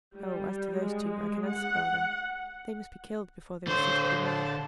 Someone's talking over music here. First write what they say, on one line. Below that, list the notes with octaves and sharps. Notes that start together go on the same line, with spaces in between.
"Oh, as to those two, I can answer for them; they must be killed before they will cease to be mine."
G3
G#3
F#5
D3 C5 C#5
A5